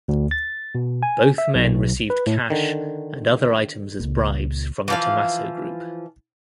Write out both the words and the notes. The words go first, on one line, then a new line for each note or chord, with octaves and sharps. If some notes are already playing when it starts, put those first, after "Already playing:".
Both men received cash and other items as bribes from the Tomasso Group.
D2
A6
B2
G#5
E5
B1
B4
A2
D3 D#3
C#2 A#2
E3 F3 F5